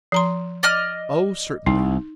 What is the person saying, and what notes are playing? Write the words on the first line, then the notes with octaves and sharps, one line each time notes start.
'Oh, certainly.
F3 A#5 C6
D5 D#5 F6
C2 D#4